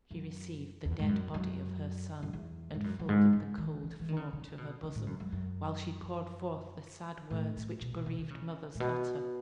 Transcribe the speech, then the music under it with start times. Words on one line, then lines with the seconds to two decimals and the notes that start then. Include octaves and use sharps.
She received the dead body of her son, and folded the cold form to her bosom, while she poured forth the sad words which bereaved mothers utter.
0.11 F#2
0.85 E2
0.99 G#2
1.09 F#2
1.34 F#2
2.23 F#2
2.33 E2
2.74 G#2
2.84 F#2
2.99 F#2
3.09 G#2
3.33 C#3
3.58 D#3
3.83 E3
4.00 E3
4.09 D#3
4.17 C#3
4.33 C#3
4.46 C#3
4.58 B2
4.83 C#3
4.95 A2
5.07 F#2
5.20 F#2
5.32 F#2
7.30 A2
7.56 A2
7.81 B2
7.93 B2
8.06 B2
8.18 D#3
8.30 C#3
8.75 A2
8.80 B2